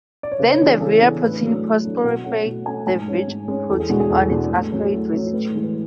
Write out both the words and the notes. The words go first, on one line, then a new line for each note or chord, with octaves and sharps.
Then the virA protein phosphorylates the virG protein on its aspartate residue.
D5
C#5
C#3 B4
C#5
E3 B3 D4
G#4
C#3 A4
E3 B3 D4
A2 B4
F#3 A3 D4
A2
F#3 A3 D4
B2 F#5
A3 C#4 F#5
B2
A3 C#4 G#5
G#2 G#5
G#3 C#4
G#2
G#3 C#4
E2 A4
G#4
B2 G#3 D4 F#4
G#4
E2 A4
B2 G#3 D4
A2
F#3 C#4
A2
F#3 C#4
A2 B4
E3 G#3
B4